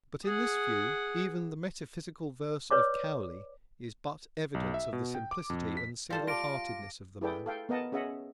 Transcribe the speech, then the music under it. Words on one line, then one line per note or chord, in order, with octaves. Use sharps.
But in this view even the "metaphysical verse" of Cowley is but evidence of the simplicity and single-heartedness of the man.
G#4 F#5
B4 C#5 D5 D6
B1
E5
B2
G5
D6
F2
B6
G3 F4 A4 C5
F4 F5 A5 D6 A#6 D7
E4 G#4 A4 B4 D5 G5
A4 F5 G5
B3 A#4 D#5 F#5 A5
C#4 G#4 D#5 E5 F#5